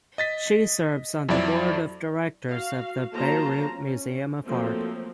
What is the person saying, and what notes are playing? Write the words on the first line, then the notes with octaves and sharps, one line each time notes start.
She serves on the Board of Directors of the Beirut Museum of Art.
D#5 A6 B6
F2 F#3 E4 D5
F#4 F5
F#3 A#3 F4 C5 A5 A#5
C#4
F3 F#3 A3 A#3 C4